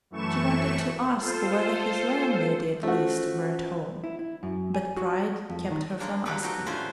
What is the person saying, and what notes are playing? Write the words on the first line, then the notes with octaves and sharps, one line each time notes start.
She wanted to ask whether his landlady at least were at home, but pride kept her from asking.
F#2 E3 A3 C#6 E7
F4 A4 C5
A3 C#4 F4 F#4 C5
E4
E4
F#2
G#5
F#4
F2
D#3
G#3 A#3 D4
F3 F#3 A#3 G4 A4 B4
D#4 F#4 G4
A2 D3 C#4 F4 B4 C5